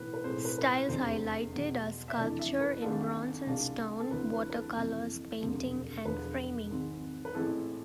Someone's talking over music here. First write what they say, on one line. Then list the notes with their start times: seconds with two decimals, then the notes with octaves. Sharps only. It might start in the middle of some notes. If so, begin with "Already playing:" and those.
Styles highlighted are sculpture in bronze and stone, watercolors, painting, and framing.
Already playing: B1 A2 E3 B3 B4
0.14 B4
0.23 B1 A2 G#3 C4 C5
0.45 B4
0.58 B4
0.66 C5
0.88 F1 E2 D3 G#3 C4 C5
1.52 E2 B2 B3
2.08 E5
2.17 F1 F2 E3 A3 D4 D5
2.39 E5
2.61 B4
2.82 G#1 G#2 G#3 D4 F4 A4
3.47 C2 C3 G#3 D4 F4
4.00 A4
4.11 D2 C3 E3 B4
4.33 B4
4.50 B4
4.54 A4
4.76 F2 C3 E3
5.41 E1 D2 C3 F3
6.05 E1 E2 D3 F3 B4
6.70 G#1 G#2 G#3 C4
7.25 B4
7.34 A1 A2 G#3 C4 E4 A4